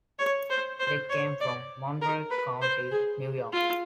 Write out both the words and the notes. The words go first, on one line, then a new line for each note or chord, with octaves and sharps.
They came from Monroe County, New York.
C#5
C5
C5
C#5
D5
A#4
B4
C5
G#4
F4